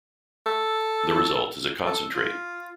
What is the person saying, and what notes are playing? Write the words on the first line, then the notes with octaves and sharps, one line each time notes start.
The result is a concentrate.
A4
A4
F4